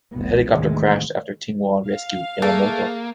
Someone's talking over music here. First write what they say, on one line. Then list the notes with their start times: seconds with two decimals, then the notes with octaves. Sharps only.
The helicopter crashed after Tingwall rescued Yamamoto.
0.13 F1 C2 B3
0.51 A1 D#2 C3 D#3 G#3 A3
1.87 F5
2.42 A3 A#3 G#4